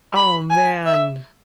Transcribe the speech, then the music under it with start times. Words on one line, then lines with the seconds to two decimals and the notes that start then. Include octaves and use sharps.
Oh, man.
0.16 B5
0.50 G#5
0.86 E5